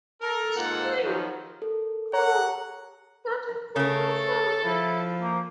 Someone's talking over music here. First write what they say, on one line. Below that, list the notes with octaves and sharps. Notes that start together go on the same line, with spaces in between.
Sleep. Oh, that I could do so.
A4 A#4
G#2 A#3 F4 A4 F#5
D#3 F3 F#3 B3 C4
A4 A#4
C#5 F#5 A#5
C#3 A3 A4 A#4 C#5
F3 E4
A#3